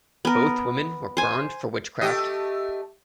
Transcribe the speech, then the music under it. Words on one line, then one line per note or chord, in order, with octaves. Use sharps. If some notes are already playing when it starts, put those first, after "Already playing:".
Both women were burned for witchcraft.
B3 A#4
C5 G#5
A3 G4 D#5